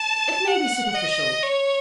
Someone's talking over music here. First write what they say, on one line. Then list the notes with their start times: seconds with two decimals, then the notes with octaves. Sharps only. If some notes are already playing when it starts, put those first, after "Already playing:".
'It may be superficial.
Already playing: A5
0.48 F#5
0.95 D#5
1.43 C#5